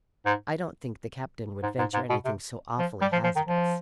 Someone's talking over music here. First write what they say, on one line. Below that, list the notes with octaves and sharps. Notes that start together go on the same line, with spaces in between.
I don't think the captain would venture anything so awfully hazardous.
G#2
G#2
G#2
G#2
B2
C3
F3
G3
F3
F3
D#3
F3